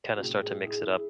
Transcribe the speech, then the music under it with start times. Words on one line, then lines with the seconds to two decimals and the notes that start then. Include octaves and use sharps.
kinda start to mix it up.
0.14 C3 F#4
0.23 A2 G#4
0.42 G#3 F#4
0.49 G#4
0.61 E4
0.75 G#4
0.81 E4